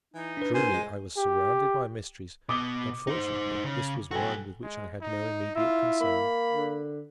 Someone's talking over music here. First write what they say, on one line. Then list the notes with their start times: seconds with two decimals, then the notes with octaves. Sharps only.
Truly I was surrounded by mysteries, but fortunately this was one with which I had no immediate concern.
0.14 E3 D#4
0.37 D4 B4
0.54 A#2 C5 G#5
0.73 G#3
1.17 G4
2.49 B2 D6 D#6 G7
3.07 D#4 C5
3.64 C#3
4.11 B1 F#4 A4 G5 G#5
4.63 G#3
5.01 D#4
5.56 E4 F4
6.01 A#3 B5
6.53 D3